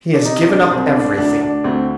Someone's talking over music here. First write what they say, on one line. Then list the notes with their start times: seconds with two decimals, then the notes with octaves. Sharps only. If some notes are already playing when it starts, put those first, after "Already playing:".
He has given up everything.
0.13 D4
0.25 C3 D#4
0.48 D4
0.71 C2 C4
0.95 D4
1.18 D2 D4
1.41 D4
1.64 D2 C4